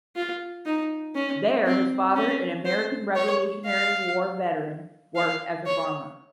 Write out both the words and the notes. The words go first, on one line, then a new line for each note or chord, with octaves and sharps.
There his father, an American Revolutionary War veteran, worked as a farmer.
F4
D#4
C#4
C4
C#4
C5
C#5
F5
F5
C#5